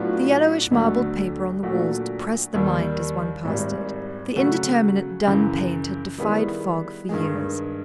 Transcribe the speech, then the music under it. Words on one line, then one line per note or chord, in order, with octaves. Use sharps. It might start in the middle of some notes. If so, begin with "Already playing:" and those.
The yellowish marbled paper on the walls depressed the mind as one passed it; the indeterminate dun paint had defied fog for years.
Already playing: A2 F#3 B3 D4 F4
D2 D3 F#3 A3
A#2 F#3 A3 D4 F#4
D#2 D#3 G3
G#1 G#2 D#3 G3
C#3 F#3 A3 C#4 F#4
F#2 C#3 E3
D#3 G3 B3 E4 G#4
G2 D#3 G#3